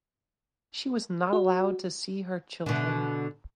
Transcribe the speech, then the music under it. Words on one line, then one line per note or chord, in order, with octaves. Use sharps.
She was not allowed to see her children.
F#4
B2 D3